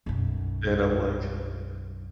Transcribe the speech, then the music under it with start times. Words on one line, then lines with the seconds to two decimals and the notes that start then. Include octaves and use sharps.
and I'm like
0.06 B1 F#2